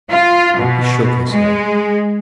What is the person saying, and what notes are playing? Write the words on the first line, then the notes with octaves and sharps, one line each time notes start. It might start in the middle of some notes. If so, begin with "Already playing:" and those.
He shook his head.
F4
B2
G#3